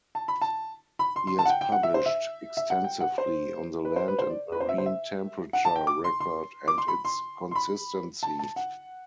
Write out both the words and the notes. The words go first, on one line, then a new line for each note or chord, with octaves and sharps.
He has published extensively on the land and marine temperature record and its consistency.
A5
B5
A5
B5
C6
C6
A5
F#5
G5
G5
F#5
E5
C5
E5
E5
F#5
G5
F#5
C5
B4
C5
B4
C5
D5
B4
C5
E5
C5
E5
F#5
A5
G5
D6
C6
C6
D6
C6
B5
C6
C6
B5
A5
A5
F#5